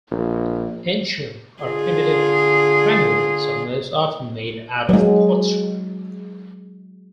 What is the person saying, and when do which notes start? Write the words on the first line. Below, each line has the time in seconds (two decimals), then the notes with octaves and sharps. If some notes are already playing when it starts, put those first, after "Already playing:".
Ancient or primitive granaries are most often made out of pottery.
0.11 A#1
1.62 D3 F4 G#4
4.89 F#3 G#3